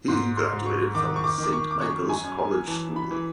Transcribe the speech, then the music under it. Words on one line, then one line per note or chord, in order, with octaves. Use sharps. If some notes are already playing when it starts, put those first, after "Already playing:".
He graduated from Saint Michael's College School.
G#2 C6
C6
G#2
C#6
D#3 D6
C#6
D6
D#3
D6
C#6
D6
F#2 C#6
G#5
F#2
G#5
E3 A5
B5
E3